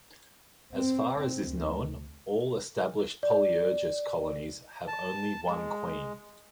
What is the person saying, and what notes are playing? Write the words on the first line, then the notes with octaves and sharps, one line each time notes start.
As far as is known, all established "Polyergus" colonies have only one queen.
C4
D2
D5
A5
G#3